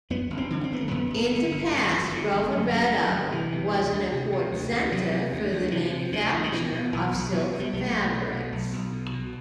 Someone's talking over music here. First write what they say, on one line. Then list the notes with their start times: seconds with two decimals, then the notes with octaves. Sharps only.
In the past Rovereto was an important centre for the manufacture of silk fabrics.
0.10 F#2 B3
0.30 G1
0.38 C4
0.50 D3
0.64 C4
0.72 G1 B3
0.81 A3
0.89 F#2 B3
1.11 G1
1.32 D3
1.51 G1
1.71 F#2
1.91 G1
2.12 D3
2.32 G1
2.51 F#2 A3
2.71 G1
2.78 G3
2.91 D3
3.05 F#3
3.11 G1
3.31 C3 E3
3.52 C3
3.72 D2
3.92 D2
4.12 C3
4.32 C3
4.51 D2
4.71 D2
4.92 C3 F#3
5.11 C3
5.32 D2
5.52 D2
5.72 C3 E3
5.92 C3
6.12 D2 D3
6.32 D2
6.44 D3
6.52 B2 E3
6.72 B2
6.92 B1 E3
7.13 B1
7.32 B2 F#3
7.53 B2
7.60 G3
7.73 B1 G3
7.86 A3
7.92 B1
8.13 B2
8.32 B2
8.52 B1
8.73 B1
8.93 B2
9.13 B2